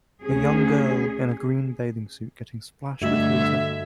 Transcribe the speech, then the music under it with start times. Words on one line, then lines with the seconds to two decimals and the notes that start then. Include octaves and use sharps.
A young girl in a green bathing suit getting splashed with water.
0.24 D2 C#4 G#4
3.02 G2 D3 G3 A3 F#4 D#5 E5 G#6